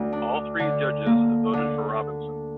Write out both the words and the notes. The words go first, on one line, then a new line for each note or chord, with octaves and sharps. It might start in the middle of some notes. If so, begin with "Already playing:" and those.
All three judges voted for Robinson.
Already playing: D2
D4
D3
A#3
D3